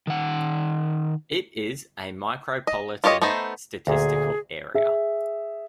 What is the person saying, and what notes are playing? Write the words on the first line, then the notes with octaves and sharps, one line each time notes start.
It is a Micropolitan Statistical area.
D#3 F#5
D#5
F4 G4 C#5 D#5
A3 B3 D#4 C5
D2 A#2 G#4
G#4 E5